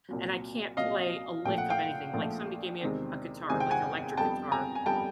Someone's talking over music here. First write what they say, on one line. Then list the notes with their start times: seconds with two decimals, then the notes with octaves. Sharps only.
and I can't play a lick of anything. Like somebody gave me a a guitar- like electric guitar.
0.09 C2 A#2 F#3
0.77 C2 A#2 F#3 D#5 F5
1.45 A#1 A#2 F3 A3 G5
1.58 F#5
1.70 F5 G5
2.13 A#1 A#2 F3 A3
2.81 E2 C3 D#3 G#3 C4
3.50 E2 C3 D#3 G#3 C4 G#5
3.60 G5
3.71 F#5 G#5
4.17 F2 D3 G3 B3 G5 A5
4.52 G#5 A#5
4.75 G#5
4.86 F2 D3 G3 B3 G5 A5